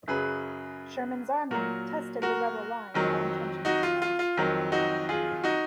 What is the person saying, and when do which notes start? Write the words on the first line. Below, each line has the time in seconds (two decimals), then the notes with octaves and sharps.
Sherman's army tested the Rebel line while entrenching themselves.
0.08 F#2 C#3 F#3 G#4 B4
1.51 A#2 F#3 F#4 A#4
2.22 F#4 A#4
2.94 F2 D#3 F#3
3.65 D#4 F#4
3.83 F4
4.02 F4
4.19 F4
4.37 F2 D#3 F#3
4.72 D#4 F#4
5.09 F4 G#4
5.44 D#4 F#4